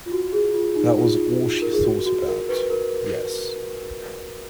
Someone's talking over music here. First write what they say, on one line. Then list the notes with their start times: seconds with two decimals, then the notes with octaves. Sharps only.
That was all she thought about, yes.
0.06 F4
0.12 F#4
0.33 G#4
0.54 F4
0.76 D#4
0.98 F4
1.62 A#4
1.73 G#4
1.84 F#4
2.06 F#4
2.28 A#4
2.49 B4
2.70 A#4